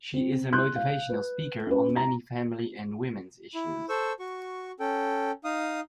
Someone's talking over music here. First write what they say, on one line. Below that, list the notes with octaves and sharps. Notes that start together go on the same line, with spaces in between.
She is a motivational speaker on many family and women's issues.
C4
C6 F#6 G6
F5
B4
C#4 B4
A#5
E4
A4 C5 C#6 E6
F#4 C#6
C#4 A4 G5
D#4 F5 D#6